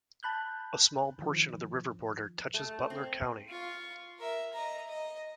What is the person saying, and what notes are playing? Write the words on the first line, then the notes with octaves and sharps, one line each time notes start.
A small portion of the river border touches Butler County.
A5 B5 F#6 G6
D#3 F3
A3
C4
F4 C#6
A#4 E5
D#5 A#5
D#5